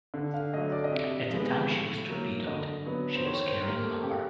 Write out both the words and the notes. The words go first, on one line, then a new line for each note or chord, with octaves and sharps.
At the time she was torpedoed, she was carrying lumber.
D3
F5
F#3 A3 D#5
D5
D#5
C3 E5
F3 G#3 B3
A2
F#3 A#3
D3 D#5
F#3 B3
C5
D#3 C#5
C5
G3 A#3 A#4
A4
C#3 G4